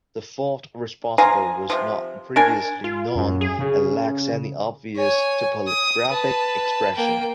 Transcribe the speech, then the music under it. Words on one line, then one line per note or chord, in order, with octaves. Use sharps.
The fault responsible was not previously known and lacks any obvious topographic expression.
F3 F5 G#5 A#5
C3 F3
D4 A#4 G#5
F4
F#2
G#4
C#3
C#5 G#5
D#6
B4 A5
A#3 G5